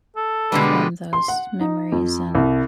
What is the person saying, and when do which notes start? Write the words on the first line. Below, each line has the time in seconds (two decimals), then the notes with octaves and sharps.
form those memories, and
0.16 A4
0.52 B2 D3 G3 G#3 B4 D5 D#5
1.13 C6
1.28 F#5
1.61 D#4
1.92 F2
2.35 C2